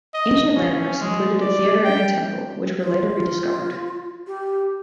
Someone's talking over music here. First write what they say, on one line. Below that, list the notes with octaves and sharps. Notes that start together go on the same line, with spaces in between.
Ancient landmarks included a theatre and a temple, which were later rediscovered.
D#5
C#4
G#3
D5
G5
F4
G4